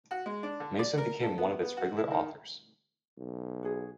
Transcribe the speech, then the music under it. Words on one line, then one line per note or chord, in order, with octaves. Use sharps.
Mason became one of its regular authors.
F#4
G#3
D4
D3
D5
A#4
A4
B3
B3
F#4
E4
D#3
B1
F#4 G#4